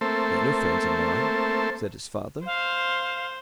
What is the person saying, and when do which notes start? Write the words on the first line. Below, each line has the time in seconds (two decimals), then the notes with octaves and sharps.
"They're no friends of mine," said his father.
0.01 A3 A#3 C4 A4 C5 E5
2.46 C5 F5